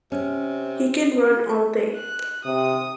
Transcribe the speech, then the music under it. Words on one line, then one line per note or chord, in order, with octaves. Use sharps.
He can run all day.
C3 C#4
F#6
C3 D#6